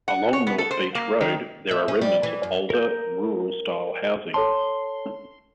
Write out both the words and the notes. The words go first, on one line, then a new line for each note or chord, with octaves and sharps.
Along North Beach Road, there are remnants of older, rural-style housing.
F#5
C#5
B3
A4
C5
A#3
D#3
E5
C#4
G3
E3
F#2
A#4 G6
A4 C#5 A5 C6